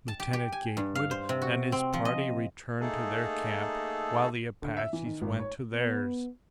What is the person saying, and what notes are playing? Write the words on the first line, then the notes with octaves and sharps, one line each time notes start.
Lieutenant Gatewood and his party returned to their camp while the Apaches went to theirs.
A5
G4
G4
G#5
G2
F5
C5
C3
F#4
C4
F3
D#5
A3 A#3 D#4 G#4 A4
D3
E5
E3
D#3
G#1
C#5
B3